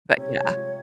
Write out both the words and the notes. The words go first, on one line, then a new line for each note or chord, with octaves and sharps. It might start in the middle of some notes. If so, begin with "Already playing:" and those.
But yeah,
C3 C#5
F3 G#3